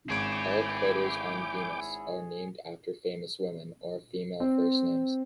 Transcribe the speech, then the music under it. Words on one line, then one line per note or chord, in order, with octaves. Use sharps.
All craters on Venus are named after famous women or female first names.
G#1 E4 G#4 C#5 G5 D6 D7
C4